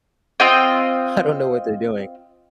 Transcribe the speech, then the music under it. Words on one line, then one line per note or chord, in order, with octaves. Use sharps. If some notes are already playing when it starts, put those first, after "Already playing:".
I don't know what they're doing,
C4 F4 D#5 G5